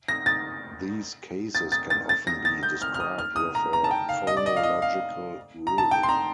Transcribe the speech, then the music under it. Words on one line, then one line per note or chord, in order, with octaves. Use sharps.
These cases can often be described with a phonological rule.
A#6
A6
A6
A6
A6
A6
A#6
A6
G6
F6
F6
D#6
F6
D#6
A#5
A#5
A5
G5
F5
D#5
D5
D#5
F5
D#5
F5
A#5
A5
G5
C6
A#5